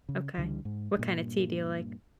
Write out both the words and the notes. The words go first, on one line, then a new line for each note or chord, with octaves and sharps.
Okay. What kinda tea do you like?
C#3
C#2 D3 E3 G3
G#2
G2 A#2